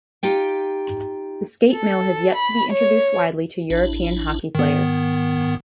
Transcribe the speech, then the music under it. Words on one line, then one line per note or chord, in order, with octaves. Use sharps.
The skatemill has yet to be introduced widely to European hockey players.
D#4 F4 G4 G5
A4
B5
C#5
A1 D4 E4
G#2 D#3 B3